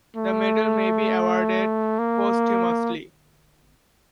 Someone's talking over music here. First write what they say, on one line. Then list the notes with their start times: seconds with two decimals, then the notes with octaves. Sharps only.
The medal may be awarded posthumously.
0.17 A3
1.99 A#3